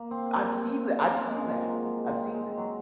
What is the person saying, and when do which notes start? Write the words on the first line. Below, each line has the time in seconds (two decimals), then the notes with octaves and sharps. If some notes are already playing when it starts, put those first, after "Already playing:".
I've seen tha I've seen that. I've seen that.
Already playing: A#3
0.11 C4
1.05 A#3 C4
1.26 G#3
1.43 F3
1.60 F#3
1.84 G#3
2.09 C4
2.33 G#3
2.58 F#3